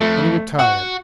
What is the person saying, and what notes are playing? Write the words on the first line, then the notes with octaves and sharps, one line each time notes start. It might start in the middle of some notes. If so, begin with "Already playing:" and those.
Then he retired.
F2 A3
F#4 F#5